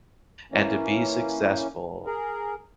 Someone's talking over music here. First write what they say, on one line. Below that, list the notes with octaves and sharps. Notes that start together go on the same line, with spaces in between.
and to be successful
E3 A#3 C#4
G#4 A#4